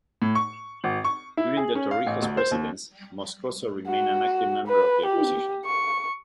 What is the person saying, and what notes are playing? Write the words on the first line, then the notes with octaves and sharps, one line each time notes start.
During the Torrijos presidency, Moscoso remained an active member of the opposition.
A2
C#6
G#1
C#6
E4
G#4
C#4
F5
A1
D2
C5
D#2
F#4
B4
G4
C#6